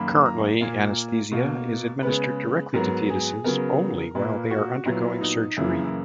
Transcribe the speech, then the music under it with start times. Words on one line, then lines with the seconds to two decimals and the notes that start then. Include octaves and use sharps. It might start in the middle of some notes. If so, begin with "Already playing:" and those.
Currently, anesthesia is administered directly to fetuses only while they are undergoing surgery.
Already playing: F#2 D#3 A#3 B5
0.26 A#5
0.61 A#2 A#3
1.31 B2 A#3
2.02 C#3 G#3 B3 B4
2.74 G#2 F#3 B3 A#4
3.10 G#4
3.44 C#3 F#3 B3 A#4
4.15 A#2 A#3 B4
4.51 F#4
4.85 A#2 F#3 B3 E4
5.21 D#4
5.57 F#2 C#3 E3 A#3 E4
5.83 E4